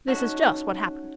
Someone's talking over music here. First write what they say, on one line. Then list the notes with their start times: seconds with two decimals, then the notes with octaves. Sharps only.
This is just what happened.
0.07 A3 C#4 D#4 F#4 F#5 E7